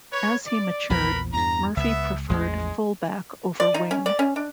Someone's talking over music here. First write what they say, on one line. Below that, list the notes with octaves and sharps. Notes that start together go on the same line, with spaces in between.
As he matured, Murphy preferred full back over wing.
B4 C#5
D5
A#1 E2 F3 A#4 B4 B5
E2 G2 A#5
C#2 B3 E5
A1 E2 F3 G#3
D5
D#4
C#4
D5
C#4
D4